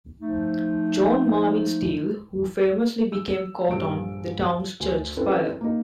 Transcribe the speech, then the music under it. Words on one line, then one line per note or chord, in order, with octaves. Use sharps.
John Marvin Steele who famously became caught on the town's church spire.
F3 A3 D#4
E6
A#1 G2 D3 D7
D2 G#5
C4 C#4 E4 A4 B4
A#3 D#4